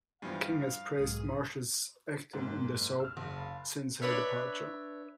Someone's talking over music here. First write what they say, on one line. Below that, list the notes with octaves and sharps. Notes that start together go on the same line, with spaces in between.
King has praised Marsh's acting in the soap since her departure.
G2 E3 F3 F5
B1 G#2 G#4 D#6
F#1 G#2
E6 F6
F#1
F5 A5 B5
D4 B4 C#5 E5